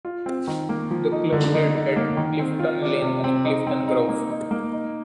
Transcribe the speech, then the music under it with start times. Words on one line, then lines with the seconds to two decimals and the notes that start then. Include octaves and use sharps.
The club played at Clifton Lane and Clifton Grove.
0.05 F4
0.26 C4
0.47 D#3
0.69 A#3
0.91 F3
1.12 D#4
1.32 D3
1.54 D#4
1.76 D#4
1.96 A#3
2.17 D#3
2.39 C4
2.59 F4
2.82 D4
3.02 C3
3.24 C4
3.45 D#4
3.67 C4
3.88 D#4
4.09 A#3
4.31 D#4
4.51 A#3
4.72 D#4